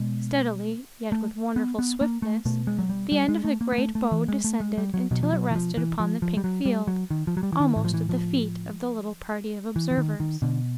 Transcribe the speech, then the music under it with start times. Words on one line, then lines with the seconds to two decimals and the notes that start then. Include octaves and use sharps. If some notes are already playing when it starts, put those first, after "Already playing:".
Steadily, yet with wonderful swiftness, the end of the great bow descended until it rested upon the pink field--almost at the feet of the little party of observers.
Already playing: B2 G#3
1.12 A3
1.56 B3
1.79 B3
2.01 A#3
2.22 A3
2.45 B2 A3
2.67 G#3
2.79 F#3
2.89 G3
3.12 G3
3.29 G#3
3.45 A3
3.61 A#3
3.73 A#3
3.78 A3
3.95 A3
4.12 E3
4.28 G#3
4.44 A3
4.60 G#3
4.78 G3
4.94 F#3
5.11 B2 F#3
5.23 F3
5.33 F#3
5.51 E3
5.55 F3
5.77 E3
6.00 F3
6.22 F3
6.37 G3
6.44 F#3
6.65 G3
6.87 F#3
7.10 D#3
7.27 F3
7.37 F#3
7.43 G3
7.52 E3
7.60 D#3
7.76 A2 E3
7.84 F3
7.94 E3
8.09 F3
9.76 E3
9.91 E3
9.98 D#3
10.20 D#3
10.42 B2 D3